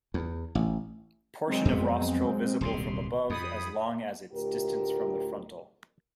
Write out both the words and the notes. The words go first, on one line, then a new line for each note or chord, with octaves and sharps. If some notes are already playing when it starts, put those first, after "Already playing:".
Portion of rostral visible from above as long as its distance from the frontal.
E2
A1
F#3 G#3 C4
F2 B3
D#1 C2 B2 C6
F2 B5 D#6
D2 A2 F4 G4 A#4